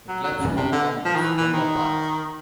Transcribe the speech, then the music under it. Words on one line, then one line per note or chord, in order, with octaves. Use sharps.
The club's home ground is Tonga Park.
F#3
F#3
C#3
C3
D3
F3
D#3
E3
E3
D#3